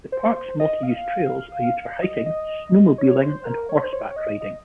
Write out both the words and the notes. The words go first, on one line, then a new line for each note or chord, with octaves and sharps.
The park's multi-use trails are used for hiking, snowmobiling and horseback riding.
C5
D#5
F5
D#5
D#5
C#5
C5
A#4
C#5
C5
C#5
D#5
D#5